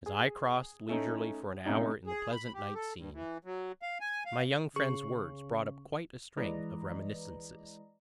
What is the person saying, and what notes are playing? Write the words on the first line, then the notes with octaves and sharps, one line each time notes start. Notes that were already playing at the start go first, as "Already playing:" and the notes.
As I cross'd leisurely for an hour in the pleasant night-scene, my young friend's words brought up quite a string of reminiscences.
G#4
A3 C#4 D#4
A2 C3 C#4 D#4
G#4
B5
G4
A4
G2
E3
F#3
F5
G#5
F5
C#3 G#4 C#6
E3 G#3 B4 D5 D#5 A#5